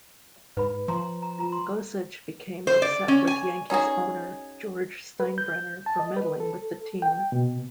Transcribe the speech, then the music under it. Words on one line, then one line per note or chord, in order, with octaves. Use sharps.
Gossage became upset with Yankees' owner George Steinbrenner for meddling with the team.
G#2 B4 B5
F3 A#5 C6
A#5
F4 A#5
C6
C5
D5
C#4
G#5
C#4 D#4 F#4 G#4
B4
G6
A5
D#5
B4
A4
G5
B2